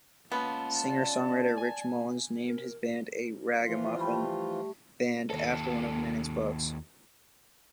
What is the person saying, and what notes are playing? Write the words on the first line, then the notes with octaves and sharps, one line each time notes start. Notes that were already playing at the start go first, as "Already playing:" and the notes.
Singer-songwriter Rich Mullins named his band, A Ragamuffin Band, after one of Manning's books.
A#3 B3 C#4 F4 A5
D5
G#5
A#4
E3 F3 F4
G3 A3
D#2 A4